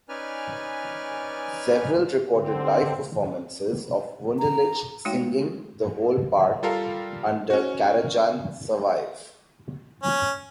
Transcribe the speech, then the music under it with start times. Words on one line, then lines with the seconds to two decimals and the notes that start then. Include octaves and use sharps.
Several recorded live performances of Wunderlich singing the whole part, under Karajan, survive.
0.09 C#4 D#4 B4 D5 G#5 F6
2.31 D3 C4
4.39 A#5
5.05 G#3 A3 D#4 F#4 C#5 G5
6.63 G3 F4 A4 A#4 F5
7.50 C#4 F#4
10.03 C#4